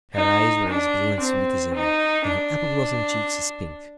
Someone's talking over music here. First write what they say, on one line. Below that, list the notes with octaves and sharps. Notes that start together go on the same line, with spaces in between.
Her eyes were as blue and sweet as ever, and her apple-blossom cheeks as pink.
D#4
D4
C4
D#4
D4